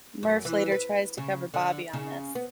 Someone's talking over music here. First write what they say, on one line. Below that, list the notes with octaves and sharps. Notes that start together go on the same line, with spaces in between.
Murph later tries to cover Bobby on this.
F#2
E3
B4
C#3
D3
C#3
B3